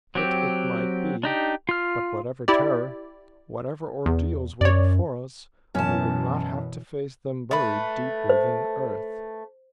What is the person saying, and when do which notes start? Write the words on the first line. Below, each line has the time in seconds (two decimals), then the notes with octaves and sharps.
Pit it might be, but whatever terror, whatever ordeals were before us, we would not have to face them buried deep within earth.
0.15 F#3 C4 G4
1.23 D4 D#4 G4
1.69 F4 F6
2.48 E4 G4 D5
4.06 E2
4.61 F#2 C#5 D5
5.75 F#2 B2 E3 C#4 A5
7.51 A3 B4
8.29 C5